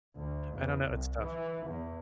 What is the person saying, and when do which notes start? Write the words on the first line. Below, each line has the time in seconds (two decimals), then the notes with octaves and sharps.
I don't know. It's tough.
0.16 D2
0.55 E2
0.87 C2
1.20 E3
1.67 E2